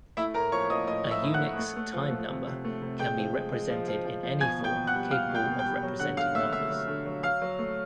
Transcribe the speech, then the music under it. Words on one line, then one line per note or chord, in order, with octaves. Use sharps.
A Unix time number can be represented in any form capable of representing numbers.
A3 E4 E5
A2 A#4 A#5
F3 C#5 C#6
F3 D#5 D#6
A2 D#5 D#6
F3
E5 E6
A2
F#5 F#6
A3
A3
A3
F3
A3
C3
C3
A3
C3
G#3 G5 G6
F3
G#3
G#3
F3
F3
F3
F3
B2 G#5 G#6
B2
G5 G6
B2
F#5 F#6
G3
G3 F5 F6
B2
G5 G6
B2
G5 G6
G3
F#3
D3 F#5 F#6
D3 F5 F6
A3 E5 E6
D3 E5 E6
F#3
D3
F#3
F#3 F5 F6
F#3
A3